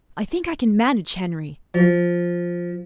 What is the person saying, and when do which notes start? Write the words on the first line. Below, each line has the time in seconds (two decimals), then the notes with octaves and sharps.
I think I can manage Henry.
1.74 F3